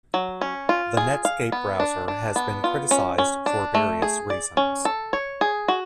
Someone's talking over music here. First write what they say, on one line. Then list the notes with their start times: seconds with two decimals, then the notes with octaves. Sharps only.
The Netscape Browser has been criticized for various reasons.
0.14 F#3
0.41 C#4
0.69 F4
0.97 G#4
1.25 F5
1.52 B3
1.80 D4
2.08 D4
2.36 B3
2.64 F4
2.91 C#4
3.18 C#4
3.46 D4
3.75 A3
4.02 G#4
4.30 D5
4.57 C#4
4.85 A4
5.13 C#5
5.41 G#4
5.68 F#4